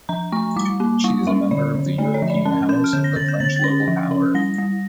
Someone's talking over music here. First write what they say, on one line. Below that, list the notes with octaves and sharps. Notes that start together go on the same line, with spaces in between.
She is a member of the European House of the French Local Power.
F3 A#5
A3 C#6
G3 D6
A#3
G3 C#6
C#4 E5
D3 D5
D3
A3 D5
C#5
F3
D5
C#4 A5
C#4 G6
F6
D3 G6
A#6
D3 A6
G6
D3 A6
A6
C#4 A#6
F3
C#4
G3 A#6
G3